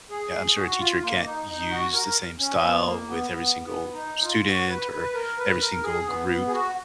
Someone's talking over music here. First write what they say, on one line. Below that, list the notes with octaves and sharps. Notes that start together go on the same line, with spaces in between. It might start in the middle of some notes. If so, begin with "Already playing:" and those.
Yeah, I'm sure a teacher can't use the same style with every single student or every single group,
G#4
F#4
F4
A#3
D#4
D#4
F#4
A#4
C#4
B3
A#3
B3
B3
B3
D#4
F4
F4
F#4
B4
B4
A#4
B4
A#4
G#4
B3
B3
G#4
F#4